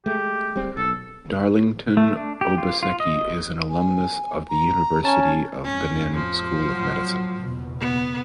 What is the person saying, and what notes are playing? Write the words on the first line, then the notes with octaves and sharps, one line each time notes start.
Darlington Obaseki is an alumnus of the University of Benin School of Medicine.
G#3 A3 G4
G3 C4
B1 A4
A3
D4
G4
F4
F4
D#5
G#5
A#5
C#4 G#5 A5
A1 F2 G#3 C#4
F3
A2 F#3
F#1 E2 B2
B3